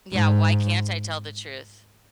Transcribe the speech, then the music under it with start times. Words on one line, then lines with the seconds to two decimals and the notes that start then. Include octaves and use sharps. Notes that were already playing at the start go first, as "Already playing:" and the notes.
Yeah, why can't I tell the truth?
0.12 G#2